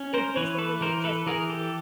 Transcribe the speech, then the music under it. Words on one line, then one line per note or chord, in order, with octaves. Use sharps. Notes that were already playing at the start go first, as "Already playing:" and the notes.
It's basically just like
Already playing: C#4
A#4 C5
E3 B4 C#5
A4 B4
E3 A#4 C5
A4 B4
E3 G#4 A#4
G4 A4